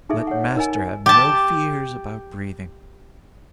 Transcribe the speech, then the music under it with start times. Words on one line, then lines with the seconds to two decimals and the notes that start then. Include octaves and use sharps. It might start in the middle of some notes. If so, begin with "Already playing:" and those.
Let master have no fears about breathing.
0.09 D#4 G#4 A4 E5
0.27 C#5 F#5
0.56 D#4 A#4 D#5 G#5
1.06 G4 A5